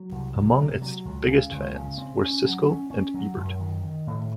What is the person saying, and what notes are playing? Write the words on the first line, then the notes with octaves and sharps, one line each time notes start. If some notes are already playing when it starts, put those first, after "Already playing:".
Among its biggest fans were Siskel and Ebert.
Already playing: F#3
C2
F#3
C3
F#3
C#2
C#3
C#2
C#3
C4
C#4
F#3
C#4
C#4
F#3
F#2
D#3
D#3
A2